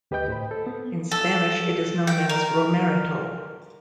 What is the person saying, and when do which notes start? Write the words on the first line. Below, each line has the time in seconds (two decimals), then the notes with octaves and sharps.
In Spanish it is known as "romerito".
0.11 D2 G4 B4 D#5 G5 G6
0.28 A2 C5 B5
0.51 A4
0.66 B3
1.12 A4
2.07 G5
2.30 A#4